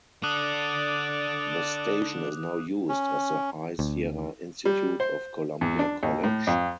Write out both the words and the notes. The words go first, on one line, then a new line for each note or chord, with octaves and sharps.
The station is now used as the High Sierra Institute of Columbia College?
D4 A4 D5 D6 D#6 F#6
C#4
D2
G3
C5
E2
D4
D#2
A2
F2